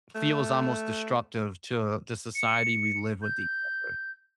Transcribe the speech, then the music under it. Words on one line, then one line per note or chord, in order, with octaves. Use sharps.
feels almost destructive to the society we live with each other.
A3
C#7
G6